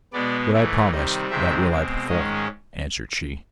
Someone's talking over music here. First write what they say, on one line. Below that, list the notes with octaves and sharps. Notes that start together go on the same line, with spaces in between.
'What I promised that will I perform,' answered she.
B2 G#3 B3 D5
G#2 E3 A3
C3 D#3 G3 D#5
F2 C3 D#3 G#3 C4 E5
B2 G#3 C4
G#2 D#3 G#3 C#4 D#5